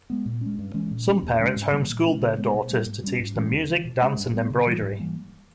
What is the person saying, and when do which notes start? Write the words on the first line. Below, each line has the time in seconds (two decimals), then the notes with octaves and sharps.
Some parents home schooled their daughters to teach them music, dance and embroidery.
0.10 G#3 B3
0.26 A#2
0.41 G#3 C#4
0.59 G2
0.74 E3 G#3 C#4
0.91 A#2
1.07 A#3 C#4
1.23 E2
1.39 C#3 G#3 C#4
1.56 G#2
1.72 D#3 G3 A#3
1.89 A#2
2.05 G#3 C#4
2.22 C#3
2.38 G#3 B3
2.54 B2
2.70 G3 A#3
2.86 G#2
3.03 G3 C#4
3.20 G#2
3.35 E3 G#3 C#4
3.52 E2
3.68 C#3 E3
3.85 B2
4.01 G#3 C#4
4.17 G2
4.33 G3 B3
4.50 C#3
4.66 E3 G3
4.82 G#2
4.99 E3 G3 A#3